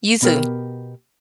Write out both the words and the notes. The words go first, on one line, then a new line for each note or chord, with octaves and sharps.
You too.
B2 B3 C#4 G4 A#4 G5